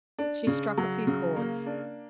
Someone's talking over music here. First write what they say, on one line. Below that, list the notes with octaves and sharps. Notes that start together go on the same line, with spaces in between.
She struck a few chords.
D4
C#3
F#3
C#3
A#3
D4